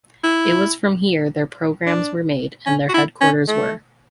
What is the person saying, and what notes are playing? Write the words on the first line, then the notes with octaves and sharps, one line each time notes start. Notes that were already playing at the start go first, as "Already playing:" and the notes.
It was from here their programmes were made and their headquarters were.
E4
D4
C#4
F#4
E4
C#4
A3